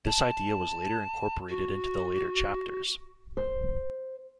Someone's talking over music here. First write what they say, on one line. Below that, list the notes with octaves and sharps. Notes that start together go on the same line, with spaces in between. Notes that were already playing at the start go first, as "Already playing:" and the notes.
This idea was later incorporated into the later chapters.
A5
F#4
C5